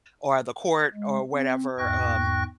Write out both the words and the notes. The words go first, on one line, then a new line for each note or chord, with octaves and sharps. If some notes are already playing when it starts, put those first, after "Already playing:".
or the court or whatever, um,
G#3
C4
E2 G#2 G5 C#6 F#6 A#6